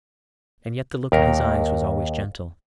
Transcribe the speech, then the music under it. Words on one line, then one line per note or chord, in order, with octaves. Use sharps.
And yet the look in his eyes was always gentle.
D#2 A#4